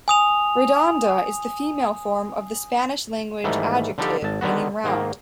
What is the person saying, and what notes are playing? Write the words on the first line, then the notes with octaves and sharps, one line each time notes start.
"Redonda" is the female form of the Spanish language adjective meaning "round".
G#5 D#6 F7
G#2 D#3 E3 G3 A3
D3 F3 G3 D#4 G4 A4
G#1 A5
D3 D#3 B3 F#4
G#2 D#3 A#3